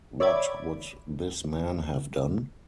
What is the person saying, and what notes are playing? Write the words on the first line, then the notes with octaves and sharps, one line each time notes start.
What would this man have done?
C#5 D5 E5 B5 D6 G#6